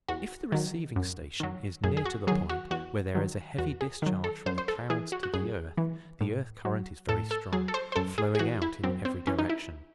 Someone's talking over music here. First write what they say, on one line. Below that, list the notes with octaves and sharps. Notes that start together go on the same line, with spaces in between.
If the receiving-station is near to the point where there is a heavy discharge from the clouds to the earth the earth-current is very strong--flowing out in every direction.
E2 F#4
D#3 F#3
F#2
D#3 F#3
F#2 G#4
G#4
F#4
D#3 F#3 G#4
F#4
E2 F#4
D#3 F#3
E2 F#4
G#4
D#3 F#3
A4
F#2 C5
C5
A4
E3 G#4
F#4
F#4
F#2 G#4
E3
A2
F#3
A2 A4
A4
F#3 G#4
A4
C5
C5
F#2 A4
G#4
G#4
E3 F#4
E4
F#2 C4
C4
E3 C#4
D#4
E4